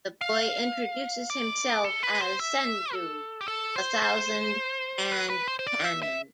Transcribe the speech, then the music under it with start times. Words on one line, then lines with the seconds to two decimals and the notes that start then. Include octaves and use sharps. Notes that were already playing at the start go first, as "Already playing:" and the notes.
The boy introduces himself as Senju, the Thousand-Hand Kannon.
0.21 F5
1.30 D5
1.84 A4
2.03 B4
2.21 C5
2.40 E5
2.93 A4
3.41 G4
3.48 A4
3.76 C5
4.02 C5
5.12 B4
5.30 B4
5.48 C5
5.59 C5
5.67 D5
5.84 E5
6.03 E5